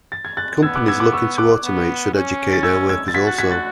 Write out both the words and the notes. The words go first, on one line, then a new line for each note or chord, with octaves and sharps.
Companies looking to automate should educate their workers also.
A6
G#6
F#6 A6
B3 E6 G#6
D6 F#6
E6 G#6
D6 F#6
C#6 E6
D6 F#6
B3
C#4
A6
E6 G#6
E6 G#6
A6
F#4 G#6 B6
F#6 A6
G#6 B6
F#6 A6